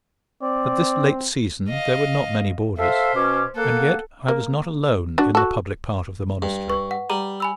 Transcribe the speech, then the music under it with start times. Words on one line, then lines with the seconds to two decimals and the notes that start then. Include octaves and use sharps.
At this late season there were not many boarders; and yet I was not alone in the public part of the monastery.
0.42 C4 D5
1.69 D#5 F5
2.78 A4 C5 E5 F5
3.15 B2 C#4 D6
3.56 A#3 A4 F#5
4.28 A#3
5.18 D4 F#4
5.35 F#4 A4
6.42 G2
6.69 B4 C#6
6.91 F#5
7.10 G3 A#5
7.40 G#5 B5 E6